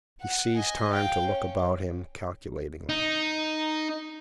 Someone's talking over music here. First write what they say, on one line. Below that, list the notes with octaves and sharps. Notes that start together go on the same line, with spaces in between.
He seized time to look about him calculatingly.
F#5
D#5 G#5
F5 G5
C#4
D#4